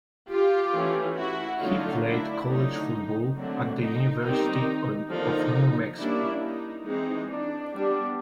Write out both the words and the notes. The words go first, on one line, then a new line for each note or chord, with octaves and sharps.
He played college football at the University of New Mexico.
F4 G4
E3 A3 C#4
E4 F#4
D3 F#3 A3 C#4 D#4 F4
D4 E4
D3 F#3 A3 C#4 D#4
D3 F#3 A3 C4
D#4
D#3 G3 C4 D#4
D3 F3 A#3 D#4
G3 A#3 C#4 D4 E4
D#4
E3 G#3 C4 D#4
D4
G3 B3 D4